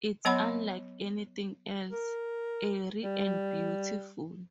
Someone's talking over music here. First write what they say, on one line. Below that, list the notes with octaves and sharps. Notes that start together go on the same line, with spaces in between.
It's unlike anything else; eerie and beautiful.
F#3 B3 C#5 F#5 B5 C6
A#4
G3